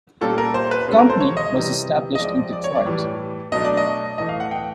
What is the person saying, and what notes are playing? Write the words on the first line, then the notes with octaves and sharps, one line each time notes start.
The company was established in Detroit.
A#2 G3 A#3 C#4 A4
A#4
C5
B4
B2 G#3 C#4 A4
A#4
C5
C#5
D#5
C3 E3 G3
D#5
F3 G#3 C4 D5
D5
C#5
D5
A2 E3 G3
B2 F#3 A3 D4 D#5
D5
D#5
A2 E3 A3 D#5
F5
F#5
G5